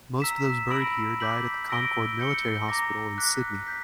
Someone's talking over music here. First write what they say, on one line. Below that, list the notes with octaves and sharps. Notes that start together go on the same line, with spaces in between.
Most of those buried here died at the Concord Military Hospital in Sydney.
A#5 E6 B6 E7
B5 E6 A#6 D7 F#7
D6 G6 B6 F#7
E6 A#6 D7 G7
G6 C#7 G7
A#5 D6 A#6
D6 F#6 B6
G6 B6